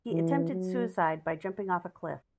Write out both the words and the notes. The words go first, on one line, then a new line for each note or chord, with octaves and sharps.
He attempted suicide by jumping off a cliff.
E3
F#3